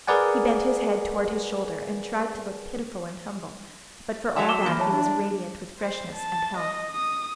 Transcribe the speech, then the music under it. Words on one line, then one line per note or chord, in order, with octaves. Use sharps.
He bent his head towards his shoulder and tried to look pitiful and humble, but for all that he was radiant with freshness and health.
G#4 A#4 B4 D5 F#5 G#5
F#3 A3 D5 E5 F5
D6 E7 G7
E3 A#3 A#4 B5 C6
F#3 C#5 E5 A5
D4
C5
A5
D#5
D#6